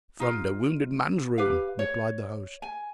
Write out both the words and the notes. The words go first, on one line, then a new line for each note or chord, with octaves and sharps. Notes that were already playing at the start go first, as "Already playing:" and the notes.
"From the wounded man's room," replied the host.
D#4 F4
G4 B4 F5
C#5
G#5